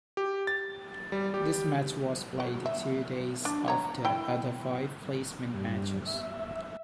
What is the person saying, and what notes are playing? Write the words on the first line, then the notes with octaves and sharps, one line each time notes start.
This match was played two days after the other five placement matches.
G4
A6
G3
G4
F#4
E5
D4
C#5 A#5
E4 G5
G2
E5